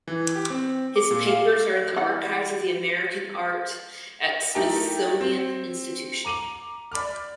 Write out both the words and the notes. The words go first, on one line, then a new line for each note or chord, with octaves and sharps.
His papers are in the Archives of American Art at Smithsonian Institution.
E3
G4
C4
D6
A#2
F5
E3 F#5
A3 D#4 E4 G4 A#4 G5
C4
A#5 D6 D#7 F7 F#7
D5 B5 D6 F6